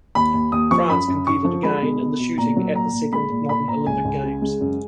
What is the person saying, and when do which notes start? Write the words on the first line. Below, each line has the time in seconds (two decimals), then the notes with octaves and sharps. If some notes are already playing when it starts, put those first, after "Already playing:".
France competed again in shooting at the second modern Olympic Games.
0.15 D#2 B5
0.34 D#2
0.52 D#2 D#6
0.71 F3 C#6
0.89 F#2 B5
1.08 F#2
1.27 F#2 C#6
1.44 F3
1.63 G#3 B5
1.82 B2
2.01 B2
2.20 B2
2.38 A#2 A#5
2.56 F#3
2.75 A#2 A#5
2.93 A#2
3.12 G#3 B5
3.30 A#2
3.49 A#2 B5
3.68 A#2 A#5
3.86 C#2 G#5
4.05 C#2
4.23 C#3
4.42 G#3
4.61 F#2